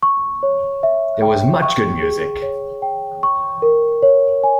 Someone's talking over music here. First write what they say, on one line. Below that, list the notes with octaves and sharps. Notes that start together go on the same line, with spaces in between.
There was much good music.
C#6
C#5
E5
G5
C#6
G#4
C#5
G5
C#6
A#4
C#5
G#5